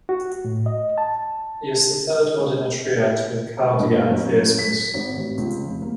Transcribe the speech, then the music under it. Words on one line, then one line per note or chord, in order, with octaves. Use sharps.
He is the third god in a triad with Khaldi and Theispas.
F#4
A2
D#5
A5
G2
F#2
B6
G#1
A1
C#2
F1
A#3